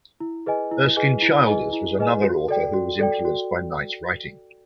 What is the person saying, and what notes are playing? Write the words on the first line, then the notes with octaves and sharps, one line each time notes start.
Erskine Childers was another author who was influenced by Knight's writing.
E4
G#4 B4 D#5 G#5
E4
G#4 B4 D#5 G#5
E4
G#4 B4 D#5 G#5
E4
G#4 B4 D#5 G#5
F#4
A4 D5 G5
F#4
A4 D5 G5
F#4